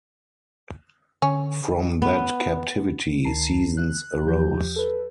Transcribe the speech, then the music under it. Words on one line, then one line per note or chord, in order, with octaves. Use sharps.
From that captivity, seasons arose.
D3 C#4
B3
D2 D#3 A5 A#5 C7
F#6
E2 F3 G4 G6
A4 B4